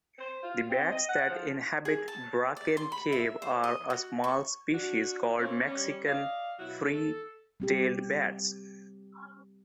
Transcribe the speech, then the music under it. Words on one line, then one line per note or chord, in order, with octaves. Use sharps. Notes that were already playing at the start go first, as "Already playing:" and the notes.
The bats that inhabit Bracken Cave are a small species called Mexican free-tailed bats.
C5
F4
C4
D#5
F#5
F3
G#4
A5
D5
C6
B5
E5
C5
D#5
F#4
C#6
D4 F#4
A#3 C4 C#4 C#5
G3 C#4
D5 D#5 F5
B2 F#3 E4 F#4
A4
G3 C4 G4